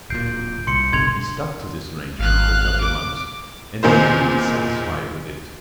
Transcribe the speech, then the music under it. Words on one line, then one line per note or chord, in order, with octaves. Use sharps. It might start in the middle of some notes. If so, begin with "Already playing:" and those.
He stuck to this arrangement for a couple of months, and then he grew dissatisfied with it.
D1 A#2 G6 C7 D7
C2 C6 C#7
G1 B2 D3 C6 G#6 F7
G#1 F5 F#6
D6
E2 A#2 D#3 C5